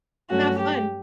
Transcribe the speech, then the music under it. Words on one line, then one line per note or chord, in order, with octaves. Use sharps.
Not fun.
G2 F#3 A3 C#4 F#4
G4